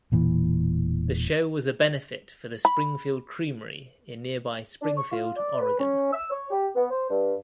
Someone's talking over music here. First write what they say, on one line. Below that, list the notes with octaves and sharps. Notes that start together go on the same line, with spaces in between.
The show was a benefit for the Springfield Creamery in nearby Springfield, Oregon.
E1 A#2 E3
B5
D4
C#6
F4
D5
B4
C#4
E6
C#5
G4
B3
C5
G2